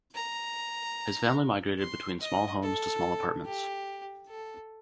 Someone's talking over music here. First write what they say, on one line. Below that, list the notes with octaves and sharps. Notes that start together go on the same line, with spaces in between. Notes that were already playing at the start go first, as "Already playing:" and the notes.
His family migrated between small homes to small apartments.
A#5
C6
D#5
A4
G4
A4